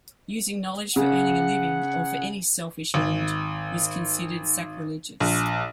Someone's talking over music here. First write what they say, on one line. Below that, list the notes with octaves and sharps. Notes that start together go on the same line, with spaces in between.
Using knowledge for earning a living or for any selfish end was considered sacrilegious.
C#3 F#5
G#1
A#1